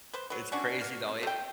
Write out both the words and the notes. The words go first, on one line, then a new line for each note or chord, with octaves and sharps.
It's crazy though, it
B4 C5
F#3 B4
C#4 D4 F#4
A#3
A3 G5